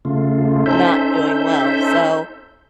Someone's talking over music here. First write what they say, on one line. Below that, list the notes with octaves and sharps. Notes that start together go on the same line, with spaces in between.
not doing well, so
C#3 A3 F4
C#4 D#4 A4 C5 E5 G6